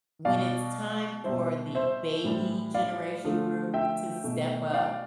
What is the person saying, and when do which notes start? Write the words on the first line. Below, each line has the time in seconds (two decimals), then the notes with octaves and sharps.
when it's time for the baby generation group to step up,
0.25 B2 G3 D5 F5
1.24 B2 G3 C5 E5
1.75 C5 E5
2.24 A2 E3 G3
2.74 D5 F5
3.24 D3 F3 A3
3.74 E5 G5
4.24 B2 A3
4.74 D5 F5